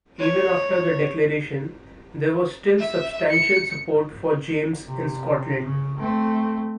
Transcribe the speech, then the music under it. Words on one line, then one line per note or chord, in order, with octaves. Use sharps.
Even after the declaration, there was still substantial support for James in Scotland.
C#5
E5
C#7
C3
C#3
A3 C4